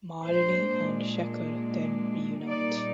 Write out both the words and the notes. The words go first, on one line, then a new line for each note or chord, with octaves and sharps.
Malini and Shekhar then reunite.
A#2 G#3 D4 C5
A#2 G3 A#3 D#4 D5